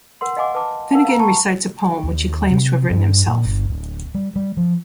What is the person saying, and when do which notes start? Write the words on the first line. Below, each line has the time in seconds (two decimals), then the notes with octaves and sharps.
Finnegan recites a poem which he claims to have written himself.
0.21 A#4 F#5 C6
0.37 D#5 F5 F#5 G#5 C6 D6
0.55 B4 A5 D6
0.91 A#4 F5 F#5 A5
1.05 F5 A#5
1.19 G5 A5 C#6
2.04 D#2
2.51 C3
2.91 G2
3.28 A#2
3.45 G1
3.70 D1
4.15 G3
4.36 G3
4.57 F3